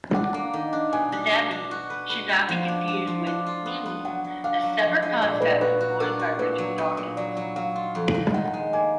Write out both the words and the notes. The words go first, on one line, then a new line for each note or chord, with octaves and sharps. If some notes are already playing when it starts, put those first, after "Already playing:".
"Mneme" should not be confused with "meme, "a separate concept coined by Richard Dawkins.
D4 F#5
A#3
D#3
D4
B2 G#5
D4
D4
D4
F#4
B4
B4
B4
F3 F#5
D4
D4
F3
D4
F4
B3
B3
F#3 F#5
F#3
D4 F5
F#3
F3 D#5
G#3
A#2 D#5
D5
A#2 B4
D5
F#4 B4
F#4
D4 A#4
F#4
A#2 B4
F#3
B3
A#2
F#3 D5
F#3
F#3 F5
F4
F2
D#3
D#3 F#5
G#3
A#3 G#5